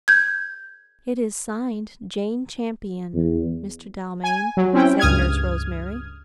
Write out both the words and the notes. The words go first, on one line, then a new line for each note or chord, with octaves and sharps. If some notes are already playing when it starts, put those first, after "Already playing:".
"It is signed 'Jane Champion,' Mr. Dalmain," said Nurse Rosemary.
G6 G#6
E2
G#5
F#3
C4 C#4 E4 G5
C#2 G2 D#6 F6 G#6